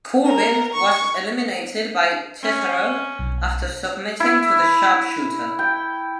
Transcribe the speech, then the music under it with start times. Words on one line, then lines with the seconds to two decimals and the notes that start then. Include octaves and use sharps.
Corbin was eliminated by Cesaro after submitting to the Sharpshooter.
0.23 A#4
0.71 C#6
2.42 C#4
3.19 B1
4.20 E4
5.59 G5